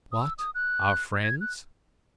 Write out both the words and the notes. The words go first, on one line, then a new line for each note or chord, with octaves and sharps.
"What! our friends?"
D#6
E6
D#6
F#6
G#6
F#6